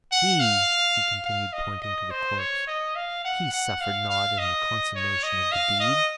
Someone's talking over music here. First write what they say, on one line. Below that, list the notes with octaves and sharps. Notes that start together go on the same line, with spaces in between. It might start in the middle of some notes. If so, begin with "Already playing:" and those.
He," he continued, pointing to the corpse, "he suffered not in the consummation of the deed.
F#5
F5
F5
D#5
D#5
C5
C#5
D#5
F5
F#5
F#5
F5
F5
D#5
C#5
D#5
F5
D#5